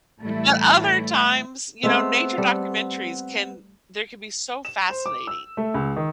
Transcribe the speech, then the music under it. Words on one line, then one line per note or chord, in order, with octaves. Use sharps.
but other times, you know, nature documentaries can they can be so fascinating
A2 E3 G3 A3 E4
G#3 A3 B3 C4
G3 A4
E7
C5
D6
E6
A3
C#2
D#3